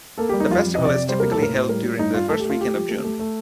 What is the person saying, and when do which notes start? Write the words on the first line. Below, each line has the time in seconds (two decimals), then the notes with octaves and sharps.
The festival is typically held during the first weekend of June.
0.18 A#3 A4
0.29 G4
0.33 G3
0.40 D#4
0.49 F2 F4
0.63 F2
0.75 C3 D#5
0.85 D5
0.94 C3
1.09 G3 C5
1.20 A#4
1.23 A#3
1.31 A4
1.39 A2 A#4
1.53 A2 C5
1.68 G3 A#4
1.84 A2
1.98 G2 D#4
2.14 G2 F4
2.28 A3 A4
2.40 A3 G4
2.50 F4
2.59 A3 G4
2.74 F3
2.89 A3
3.04 A3
3.19 A3